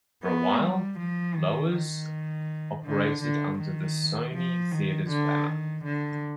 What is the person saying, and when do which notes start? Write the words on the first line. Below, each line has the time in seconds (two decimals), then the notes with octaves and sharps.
For a while, Loews operated under the Sony Theaters banner.
0.23 B3
0.60 G3
0.98 F3
1.35 D#3
1.72 D#3
2.85 D3
3.22 D3
3.59 D#3
4.34 F3
4.71 D#3
5.10 D3
5.47 D#3
5.84 D3